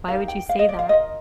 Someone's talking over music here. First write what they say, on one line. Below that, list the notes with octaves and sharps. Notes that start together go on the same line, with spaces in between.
Why would you say that?"
D#4 G4 A#4 F5
G5
F5
D#5
D5
F5
F4 A#4 D#5